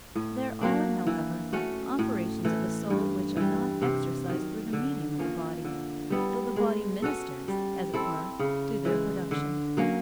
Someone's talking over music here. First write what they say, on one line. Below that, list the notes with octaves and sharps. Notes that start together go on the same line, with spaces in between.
There are, however, operations of the soul, which are not exercised through the medium of the body, though the body ministers, as it were, to their production.
A2
F#3 A#3 D4
E3
A3 C#4 F#4
A2
E3 A3
G2
E3 G3
C3
D#3 F#3
D3
F3 A#3 C#4
D3
G3 B3 E4
G#3
C#4 F#4 A4
G3
C4 E4 A4
C#3
E3 G#3
D3
F#3 A#3 C#4